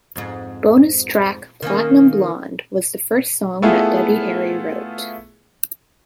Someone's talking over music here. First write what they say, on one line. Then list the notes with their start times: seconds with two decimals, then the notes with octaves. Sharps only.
Bonus track "Platinum Blonde" was the first song that Debbie Harry wrote.
0.16 F2 G#2
1.62 D#3 A#3 C#4
3.62 A3 B3 E4 F4 G#4